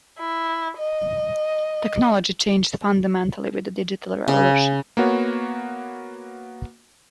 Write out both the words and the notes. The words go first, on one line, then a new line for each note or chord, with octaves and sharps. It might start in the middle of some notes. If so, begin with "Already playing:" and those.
Technology changed fundamentally with the digital revolution.
E4
D#5
C#3
A#3 B3 F#4 C#5